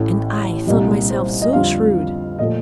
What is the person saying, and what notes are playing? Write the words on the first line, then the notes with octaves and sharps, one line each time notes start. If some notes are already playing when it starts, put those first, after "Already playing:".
And I thought myself so shrewd!
Already playing: A1 A2 A3
C2 A#2 G3 D#5
C5
D#5
F2 D3 G3 C4 F4 F5
A#2 F3 A3 D#5